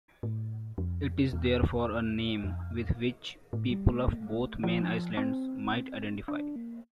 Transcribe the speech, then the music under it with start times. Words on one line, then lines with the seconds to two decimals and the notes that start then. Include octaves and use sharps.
It is therefore a name with which people of both main islands might identify.
0.23 A2
0.78 F2
1.33 E2
2.44 F2
3.53 A2
3.71 G3
3.90 A3
4.04 A#3
4.17 A3
4.56 E3
4.63 F3
5.17 C4
6.28 D4
6.56 A#3